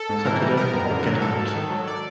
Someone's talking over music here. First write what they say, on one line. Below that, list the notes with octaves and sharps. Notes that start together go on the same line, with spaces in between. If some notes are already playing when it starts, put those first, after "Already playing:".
Suck it up, or get out.
Already playing: A4
G#2
E3 A#4
G3
B3 A#4
F#2
D3
F#3
G#2 A4
G#2
D#3
F#3
D5